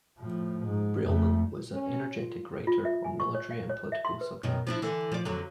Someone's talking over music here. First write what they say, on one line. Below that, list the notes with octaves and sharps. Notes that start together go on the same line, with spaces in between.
Brialmont was an energetic writer on military and political subjects.
A2 F3
G#2
F2 A3
C#4
F4
F4
E5
G#5
C#6
C#5
F5
C#5
E5
C6
B4
F#2 B2 D#3
F3 D4 E4
D3 E3
F3 D5
F2 D3 F#3